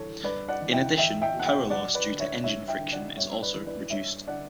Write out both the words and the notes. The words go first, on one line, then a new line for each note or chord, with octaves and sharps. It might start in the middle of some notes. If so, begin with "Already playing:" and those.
In addition, power loss due to engine friction is also reduced.
Already playing: G2 E3 A4 C#5
G2 B4 D5
D5 F#5
E3
E5 G5
E2 E5 G5
E5 G5
B2 F#5
E5 G5
F#2 D5 F#5
B4 D5
D3
C#5 E5
G2 C#5 E5
E5 G5
D3
D5 F#5
G2 C#5 E5
B4 D5
E3
B4 D5
G2 C#5 E5
D3 D5 F#5